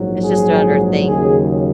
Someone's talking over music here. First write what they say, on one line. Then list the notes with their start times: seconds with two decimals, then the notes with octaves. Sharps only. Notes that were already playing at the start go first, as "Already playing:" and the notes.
It's just another thing.
Already playing: A#1 G#2 F#3
0.23 G#4
1.07 D#2 C#3 F#3 G#4